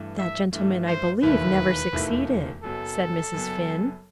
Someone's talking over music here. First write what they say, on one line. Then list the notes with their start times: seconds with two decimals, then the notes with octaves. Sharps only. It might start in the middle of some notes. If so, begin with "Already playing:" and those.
"That gentleman I believe never succeeded," said Mrs. Finn.
Already playing: G2 E3 A3
0.18 E5
0.53 G2 E3 A3
0.87 C5
1.22 E1 D#2 D#3 A3 E4 B4
1.93 E1 D#2 D#3 A3 E4
2.63 F#1 F#2 F#3 B3 A4
3.33 F#1 F#2 F#3 B3